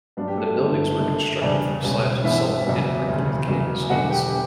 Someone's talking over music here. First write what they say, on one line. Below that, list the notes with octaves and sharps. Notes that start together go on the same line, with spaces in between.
The buildings were constructed from slabs of salt and roofed with camel skins.
G2 F#3 B3 D4
G4
A3 A4
G1 G2 D3 A3
F#1 F#2 D3 A3
E2 C#3 G3 D4 D5
C#2 B2 G3 C#4
A1 G2 E3 B3 E4 E5
E2 C#3 F#3 B3
E1 D2 C#3 G3
F#1 E2 C#3 F#3
E1 E2 D3 F#3 F#4 F#5
G4 G5
G4